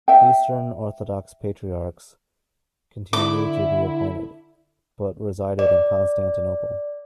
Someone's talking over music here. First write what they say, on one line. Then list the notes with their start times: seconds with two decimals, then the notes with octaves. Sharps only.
Eastern Orthodox Patriarchs continued to be appointed, but resided in Constantinople.
0.08 E5 G5
3.13 D3 E4 D6
5.59 D5